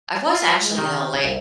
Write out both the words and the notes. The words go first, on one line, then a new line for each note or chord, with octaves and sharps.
I was actually a little late
F4
G#3
C3 D#3 D#4 G4
C2 E5